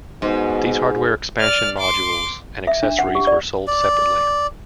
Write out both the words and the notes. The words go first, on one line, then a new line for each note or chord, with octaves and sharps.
These hardware expansion modules and accessories were sold separately.
G#2 B2
D5 F6
C6 D6
E5
D4
F#5
G4
D5
D5